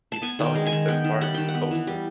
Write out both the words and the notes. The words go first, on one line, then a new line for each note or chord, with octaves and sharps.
Its southeastern part is coastal.
A5
B3 G#5
D#3 G5
G#3
G#5
D#3
B3 G5
D#3
G3 F#5
D#3 G5
F#5
B3
E3
G3